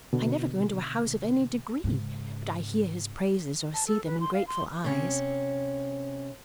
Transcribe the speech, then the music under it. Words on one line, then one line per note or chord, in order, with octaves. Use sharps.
I never go into a house of any degree but I hear his praises or see them in grateful eyes.
B2 D3
G#2 C#3
A5
A4
B4
C6
F5
C6
C3 C#4